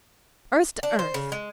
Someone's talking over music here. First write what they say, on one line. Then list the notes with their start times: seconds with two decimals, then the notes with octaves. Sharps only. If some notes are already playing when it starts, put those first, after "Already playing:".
Earth to earth!
0.83 D4
0.99 C5
1.14 C#3
1.32 G#3